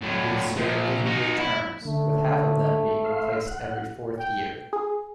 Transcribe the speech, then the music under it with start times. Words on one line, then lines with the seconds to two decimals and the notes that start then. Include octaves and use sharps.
These serve eight-year terms, with half of them being replaced every fourth year.
0.01 A2 F#3
0.57 A#2 F3
1.06 D#4 F#4
1.38 E4
1.85 D3 A3
3.05 E5 F5 C6
3.47 F#5
4.19 G5
4.73 G#4